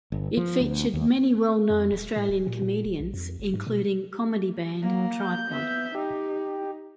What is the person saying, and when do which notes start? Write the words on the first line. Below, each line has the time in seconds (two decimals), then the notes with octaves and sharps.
It featured many well-known Australian comedians, including comedy-band Tripod.
0.12 G1
0.37 F3
0.60 D2
0.94 D#2
1.70 F2
1.92 D#1
2.16 A2
2.29 D1
2.47 A#2
2.62 A#2
2.85 D1
3.00 A#1
3.14 F2
3.40 F#1
3.54 G#2
3.67 B2
4.82 F#3 A#3
5.18 G6
5.50 B3 E5
5.95 D#4 G4